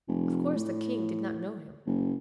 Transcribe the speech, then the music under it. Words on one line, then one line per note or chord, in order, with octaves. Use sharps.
Of course the king did not know him.
F1
A2
F#1